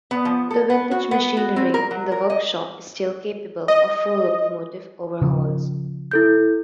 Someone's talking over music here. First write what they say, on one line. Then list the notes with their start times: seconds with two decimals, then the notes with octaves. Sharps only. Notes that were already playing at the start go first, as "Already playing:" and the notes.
The vintage machinery in the workshop is still capable of full locomotive overhauls.
0.11 B3
0.25 F3
0.51 A4
0.70 B3
0.91 F#4
1.11 B3
1.37 F#4
1.56 C4
1.74 A#4
1.91 F#3
2.12 A#4
2.30 D#5
3.68 D#5
5.22 C#3 F3
6.11 E4 A4 G6